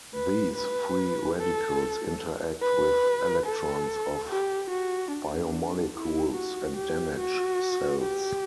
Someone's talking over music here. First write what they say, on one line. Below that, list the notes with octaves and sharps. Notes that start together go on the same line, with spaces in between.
These free radicals interact with electrons of biomolecules and damage cells.
B4
B4
A4
B4
A4
G4
F#4
D4
E4
F#4
G4
F#4
G4